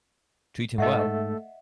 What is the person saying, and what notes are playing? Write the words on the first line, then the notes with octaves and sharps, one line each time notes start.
Treat him well!
G#2 A3 A4 D#5 E5 F#5